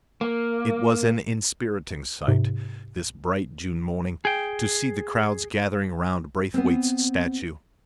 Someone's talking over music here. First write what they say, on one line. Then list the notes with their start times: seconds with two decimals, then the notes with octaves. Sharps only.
It was an inspiriting sight, this bright June morning, to see the crowds gathering round Braithwaite's statue.
0.21 A#3
2.28 G#2 C3
4.25 G#4 G5
6.54 B3 C4